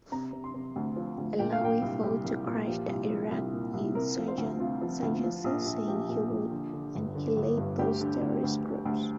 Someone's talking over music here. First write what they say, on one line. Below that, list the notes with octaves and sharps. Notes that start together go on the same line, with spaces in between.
Allawi vowed to crush the Iraqi insurgency, saying he would "annihilate those terrorist groups".
C3 A#5
C3
C6
C3
D2
F3
D2
A#2 G5
F5
A#2 G5
C2
C2 G4
C2
A#2
F3 G4
C2
F3
C2
A#2
C2
C3 A#4
F3
C5
D2
C3 F4
F3
D2
F3
A#1
A#1
F3 G4
A#2
A#1
D3
D3
G1
D3
G1
G2
D2 G4
D3
D2
D2
D3
D2